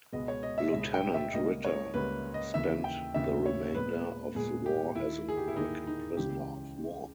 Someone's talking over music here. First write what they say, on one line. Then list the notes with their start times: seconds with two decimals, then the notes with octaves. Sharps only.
Lieutenant Ritter spent the remainder of the war as an American prisoner of war.
0.12 C#2 B2 G#3 B3 D#5
0.28 C#5
0.43 D#5
0.58 E5
0.73 C#2 B2 G#3 B3 E5
0.94 G5
1.14 E5
1.33 C#2 C#3 G3 A#3 D#5
1.65 C#5
1.94 C#2 C#3 G3 A#3 B4
2.34 D#5
2.54 D#2 C#3 E3 E5
2.84 G5
3.14 D#2 C#3 E3 E5
3.46 C#5
3.75 A#2 G#3 B3 B4
4.35 A#2 G#3 B3 G#4
4.66 G4
4.95 D#2 D#3 A#3 E4
5.29 G#4
5.37 G4
5.48 E4
5.56 D#2 D#3 A#3 D#4
5.87 D#4
6.16 C#2 C#3 E3 G4